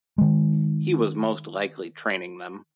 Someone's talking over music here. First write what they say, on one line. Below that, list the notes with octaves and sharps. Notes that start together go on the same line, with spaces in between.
He was most likely training them.
D#3 G#3